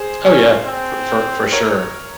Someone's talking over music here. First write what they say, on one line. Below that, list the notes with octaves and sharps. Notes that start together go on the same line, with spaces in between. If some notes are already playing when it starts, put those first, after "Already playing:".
Oh, yeah, for for for sure,
Already playing: G#4 C5
C#4
C4
A#4 C#5